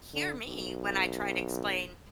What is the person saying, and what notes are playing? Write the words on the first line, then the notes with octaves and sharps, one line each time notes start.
hear me when I try to explain
D3
B1